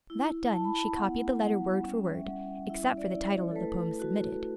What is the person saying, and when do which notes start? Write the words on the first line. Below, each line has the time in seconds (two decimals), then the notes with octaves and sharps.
That done, she copied the letter, word for word--except for the title of the poem submitted.
0.10 E4
0.52 E4 A5
0.64 B5
0.75 A5
0.96 B3 F#5
1.39 G3 F#5
1.82 C#4 G5
2.14 E5
2.25 G3 F#5
2.69 E4 E5
2.98 D5
3.13 E4
3.27 C#5
3.51 A4
3.56 A3 B4
4.00 F#4